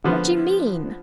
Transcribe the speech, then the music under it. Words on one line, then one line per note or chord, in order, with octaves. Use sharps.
"What do you mean?"
D3 F3 B3